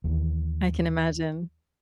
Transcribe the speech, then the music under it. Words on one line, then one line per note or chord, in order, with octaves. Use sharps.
I can imagine.
D#2 E3